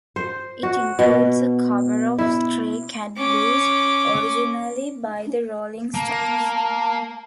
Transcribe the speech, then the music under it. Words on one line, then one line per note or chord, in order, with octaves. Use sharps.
It includes a cover of "Stray Cat Blues" originally by The Rolling Stones.
C5
F#4
B2
E4
C#4 D6
A#3 A5